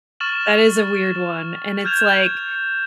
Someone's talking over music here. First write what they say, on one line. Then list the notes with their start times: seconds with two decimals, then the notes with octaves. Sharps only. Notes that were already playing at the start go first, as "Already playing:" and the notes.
That is a weird one, and it's like,
0.20 C#6 F6 A6 E7 F#7
1.85 F6 G6 G#6 E7 F7